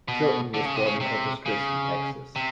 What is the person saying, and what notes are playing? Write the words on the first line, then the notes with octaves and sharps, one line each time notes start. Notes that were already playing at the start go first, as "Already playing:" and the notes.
Tilton was born in Corpus Christi, Texas.
B2
D3
C#3
C3
C#3
C3
C#3
C3